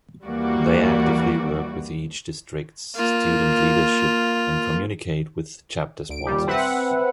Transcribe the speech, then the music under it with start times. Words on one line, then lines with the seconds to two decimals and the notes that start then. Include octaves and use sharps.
They actively work with each district's student leadership and communicate with chapter sponsors.
0.25 D#2 E3 G3 A#3 F#4 D5
2.95 A#3 F4
6.09 D2 D7
6.26 D#2 A#2 G3 G4
6.47 C4 B4 E5 F#5